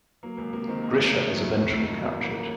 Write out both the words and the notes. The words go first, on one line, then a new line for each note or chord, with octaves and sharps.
Grischa is eventually captured.
F#3 A#3
C#2 A#3
C3 A#3
D#3 C4
C#2 A#3
C#2 A3
C#3
A3
F3
F#3
F2 A3
F2
D#3
F#3
A1 A#3
A1
A#3
A2